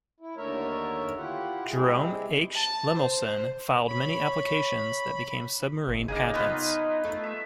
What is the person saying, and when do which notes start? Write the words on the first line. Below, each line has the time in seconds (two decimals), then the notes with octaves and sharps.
Jerome H. Lemelson filed many applications that became submarine patents.
0.20 E4
0.37 D#2 D3 A3 A#4 C#5 E5
1.17 E4 F4 G4 F#5
1.70 C3 G3 G#3 C4 E4 G#4
2.55 A5
2.96 C5
3.87 C#5 B5
5.88 G#1
6.08 C#3 A#3 D#4 G#5
6.34 B3 D#4 F4 B4
7.04 A3
7.24 E5